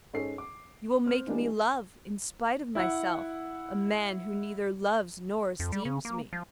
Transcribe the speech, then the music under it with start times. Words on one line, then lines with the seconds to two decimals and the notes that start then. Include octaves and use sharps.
You will make me love, in spite of myself, a man who neither loves nor esteems me.
0.14 G#2 C#4 G#4 A4 C7
0.38 D6
1.06 C4 F6
1.27 E3 G#3 A#3 D4 G4
2.75 E4 F#5
5.60 F2
5.72 G3
5.85 C#3
6.05 A#3
6.33 F3